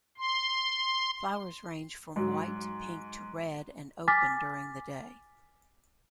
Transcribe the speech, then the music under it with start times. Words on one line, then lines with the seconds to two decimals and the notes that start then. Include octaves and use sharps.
Flowers range from white to pink to red and open during the day.
0.18 C6
2.16 G#2 F#3
4.08 G#5 D6 F6 A6 B6